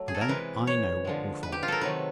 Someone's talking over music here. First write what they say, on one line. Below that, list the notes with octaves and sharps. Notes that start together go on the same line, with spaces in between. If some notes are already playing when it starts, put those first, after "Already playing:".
And then I know what will follow.
Already playing: F#3 A3
G#4
A4
A#4
C3 E3 G#3 B4
C#5
D3 F3 G#3
B4
G4
F4
A4 A#4
C3 D#3 F#3 A3 B4